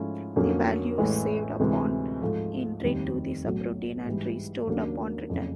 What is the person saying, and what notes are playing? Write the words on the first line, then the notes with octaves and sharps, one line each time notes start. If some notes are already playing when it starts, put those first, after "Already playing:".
The value is saved upon entry to the subroutine and restored upon return.
Already playing: G#2 F3 A3 C#4 E4
F2 D3 F#3 A#3 C#4
A1 A2 E3 G#3
D2 C3 E3 G#3 C4
G#2 F3 A3
F1 D#2 D#3 G3 C4
B1 A2 F#3
G#2 E3 G3
D#2 C#3 F#3 A#3 D4
F#1 F2 C#3